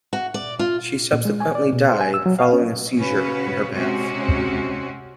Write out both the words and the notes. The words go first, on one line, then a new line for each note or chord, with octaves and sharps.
She subsequently died following a seizure in her bath.
F#4
D5
F4
A#2
G#3
G#5
D5
B2
C5
G#5
E6
F#3
F5
C#4
C#3 C#4 F#4 B4
C3 G#3 C4 C#4 F#4